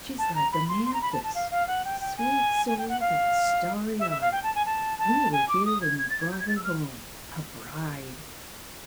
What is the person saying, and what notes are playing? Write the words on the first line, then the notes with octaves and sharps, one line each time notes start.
She's like Amanthis,--sweet-souled and starry-eyed; we were here when you brought her home, a bride.
A5
A#5
B5
C6
C6
A#5
B5
A5
A5
F5
F5
F#5
G5
G5
G#5
G#5
G5
F#5
F5
E5
E5
F5
G5
A5
G#5
A5
A5
G#5
D6
D#6
G#6
G#6
A6
G#6
G6
G#6
A6
E6
F6